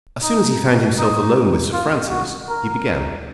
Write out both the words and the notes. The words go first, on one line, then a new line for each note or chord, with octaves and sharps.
As soon as he found himself alone with Sir Francis he began.
D#4
D#4
F4
F#4
A#4